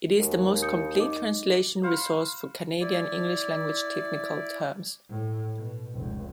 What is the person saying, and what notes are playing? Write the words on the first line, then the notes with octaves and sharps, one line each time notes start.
It is the most complete translation resource for Canadian English-language technical terms.
D#2
D#6 G6 C#7
D#4 D#5 D6
C5 F5 F#5 B5
E4 D5
A2
B2
F1 C#2